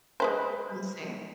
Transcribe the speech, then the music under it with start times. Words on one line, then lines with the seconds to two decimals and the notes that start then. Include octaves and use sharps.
I see.
0.20 G#3 B4 C5